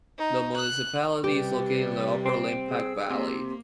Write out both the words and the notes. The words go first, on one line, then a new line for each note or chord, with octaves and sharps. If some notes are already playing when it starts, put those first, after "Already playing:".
The municipality is located in the upper Limpach valley.
D#4
F#6
C3 G3 G4 B4 D5 G5
C4
G#4 E6
C3 A#3